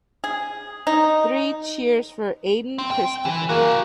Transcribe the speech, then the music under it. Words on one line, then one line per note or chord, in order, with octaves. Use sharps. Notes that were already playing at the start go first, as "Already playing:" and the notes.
Three cheers for Aden Christopher.
G#4
D#4
C4
G5
E3
A#3 F#4 G#4